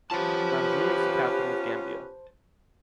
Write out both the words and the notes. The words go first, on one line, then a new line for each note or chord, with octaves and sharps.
Banjul is the capital of Gambia.
B3 C#4 F4 G4 B4 C5 A5